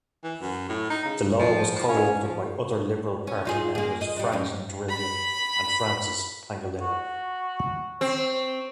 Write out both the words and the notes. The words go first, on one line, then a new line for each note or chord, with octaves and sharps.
The law was co-authored by other Liberal Party members, Franklin Drilon and Francis Pangilinan.
E3
F#2
A2
D#4
C#3
F3
F3
C#4
F3
C#4
D#4 F4 G#4
A#3 G#4
D#5
G3 D4
F#2 D#4
B5
F#4
C4 C#5